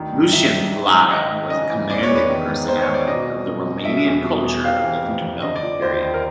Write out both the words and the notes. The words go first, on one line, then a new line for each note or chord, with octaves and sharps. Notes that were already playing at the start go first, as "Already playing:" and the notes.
Lucian Blaga was a commanding personality of the Romanian culture of the interbellum period.
Already playing: D2 D#3
G2
D#3 E5
G2
D#3
G#2
D#3 D#5
G#2
C#3 D#5
E3
E2 D5
C#5
E2
B4
D#3
G#2
D#3 C5
C#5
G#2
D5
B2 D#5
C2
B2
C2
B2 E5
E2
B2
E2
C3 F5
E3
F2
F2
D3 D#5
D5
F3
D#2 C5
D#2
A#4